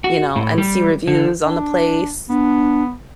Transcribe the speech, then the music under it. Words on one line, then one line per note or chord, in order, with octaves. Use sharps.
you know, and see reviews on the place,
F#4
A2
G3
D3
D4
B3 D4